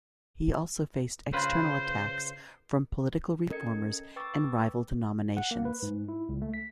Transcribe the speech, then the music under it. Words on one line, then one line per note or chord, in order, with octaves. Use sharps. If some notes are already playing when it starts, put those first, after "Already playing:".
He also faced external attacks from political reformers and rival denominations.
C#3 F4 B4 C5
C#4 A4 A#4 D#5 G#6 C#7
B4 G5 C#6 D6 E6 A6
F#5
A#3
B4
G#2
E4
C#2
A3
B6